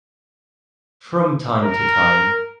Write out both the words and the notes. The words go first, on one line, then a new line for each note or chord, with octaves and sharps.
From time to time.
A#4